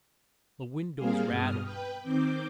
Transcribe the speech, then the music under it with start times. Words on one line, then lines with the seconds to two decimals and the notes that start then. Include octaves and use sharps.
The windows rattled.
0.96 G3 A#3 C4 G#4 F5
1.28 G2 B2 D#6 F6
1.62 B4 G5
2.01 D#3 C4 D6 G6